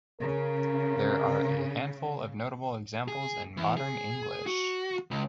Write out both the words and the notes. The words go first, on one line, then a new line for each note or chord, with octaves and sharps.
There are a handful of notable examples in modern English.
C#3 A#4
G#4
E2
G#4
F#4
C#2